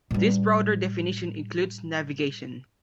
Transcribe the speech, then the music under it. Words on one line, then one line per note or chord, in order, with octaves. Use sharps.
This broader definition includes navigation.
A2 G3